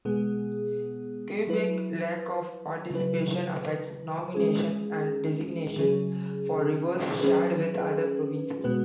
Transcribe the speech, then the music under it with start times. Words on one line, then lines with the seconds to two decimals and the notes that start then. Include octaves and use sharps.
Quebec's lack of participation affects nominations and designations for rivers shared with other provinces.
0.05 B2 G#3 B3 G#4
1.47 F#3 E4 B4
2.90 C#3 F#3 E4 B4
4.34 G#3 C#4 G#4
5.78 C#3 F#3 C#4 G#4
7.20 F#3 C#4 G#4 B4
8.64 B2 G#3 B3 F#4 B4